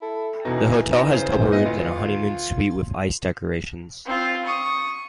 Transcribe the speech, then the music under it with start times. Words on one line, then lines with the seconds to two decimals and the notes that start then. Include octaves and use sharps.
The hotel has double rooms and a honeymoon suite with ice decorations.
0.02 E4 A4
0.45 E1 B2 E3 D#4
0.92 D4 D#4
1.12 C#3 C5
1.53 A#2 B3 D#5
1.65 D2 F4
4.06 C4 F4
4.45 C#6 D#6